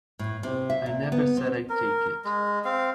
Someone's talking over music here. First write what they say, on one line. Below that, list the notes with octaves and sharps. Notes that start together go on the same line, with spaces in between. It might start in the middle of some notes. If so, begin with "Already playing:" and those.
I never said I'd take it.
A2
C3
E5
A#2
B3
C4
A#4
G#3
C4 F5